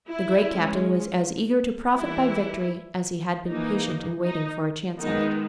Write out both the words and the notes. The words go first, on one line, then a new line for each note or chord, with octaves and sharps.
The great captain was as eager to profit by victory as he had been patient in waiting for a chance of it.
E4
G#3 C#4
E3 G3 A#3 E4
E3 A#3 D#4
D#4
D#3 G#3 B3 D#4